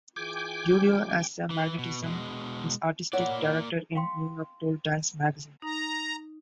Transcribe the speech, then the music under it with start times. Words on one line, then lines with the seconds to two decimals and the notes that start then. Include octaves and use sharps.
"Julio has a magnetism," his artistic director in New York told "Dance Magazine".
0.16 E3 F4 G#4 G5 G#5 D6
0.66 C#3 F3 G3
1.51 E3
1.79 B2
2.04 B2 G#3
3.13 A#3 E4 C#5 D5 F#5
3.95 F5 G5 C6
5.62 D#4 A#5